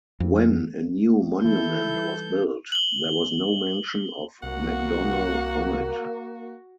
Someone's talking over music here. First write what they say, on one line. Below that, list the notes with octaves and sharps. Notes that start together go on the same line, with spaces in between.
When a new monument was built, there was no mention of Macdonell on it.
F2
E3 D#4 E4 A4 G6
G3 B4
F#7 G7
C2 A#3 F#4 F#5